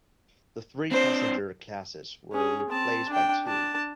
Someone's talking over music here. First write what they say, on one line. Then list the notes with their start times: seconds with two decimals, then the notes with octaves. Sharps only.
The three passenger classes were replaced by two.
0.91 C4 D4 C5
2.32 C#4 G#4
2.70 C4 A5
3.09 D4 G5
3.45 D4 A5